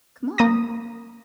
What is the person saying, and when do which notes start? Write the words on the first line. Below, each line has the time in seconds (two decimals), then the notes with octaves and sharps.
Come on,
0.38 A#3 D#6 A#6